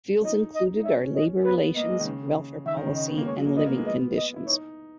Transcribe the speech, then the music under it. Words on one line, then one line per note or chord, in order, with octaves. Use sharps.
Fields included are labour relations, welfare policy, and living conditions.
C#4
D#4 D#5
D#5
D#4
C#4 E5
D#5
C#4
B3 B4
A#3 D#5
G#3
D#3
C#3
D#3 E5
D#3
C#3
D#5
B3
A#3
G#3 C#5
F#3
A#3
B3 D#5
A#3
G#3
B3 D#5
D#5
E4
D#4 C#5